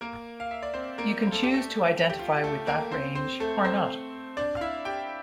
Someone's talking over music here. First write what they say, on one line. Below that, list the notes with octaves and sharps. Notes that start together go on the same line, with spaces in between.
You can choose to identify with that range or not.
A#3 A#4
F5
E5
D5
C4 C5
A#3 A#4
A#4
A4
G4
A3 A4
G4
F4
G4
A3 A4
A#3 A#4
C4 C5
C4 C5
A3 A4
C4 C5
D4 D5
F5
E4 E5
G4 G5